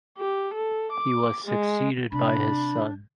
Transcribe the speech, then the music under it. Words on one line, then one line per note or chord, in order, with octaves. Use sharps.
He was succeeded by his son.
G4
A4
D6
G#3
C3 D4 B5